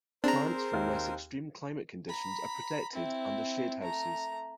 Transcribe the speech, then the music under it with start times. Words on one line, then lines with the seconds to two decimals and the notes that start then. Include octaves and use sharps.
Plants from less extreme climate conditions are protected under shadehouses.
0.24 C4 D4 G#4 A#4 C5 A#5
0.73 D#2
2.09 A#5 B5
2.93 C4 E4
3.82 A3 A#5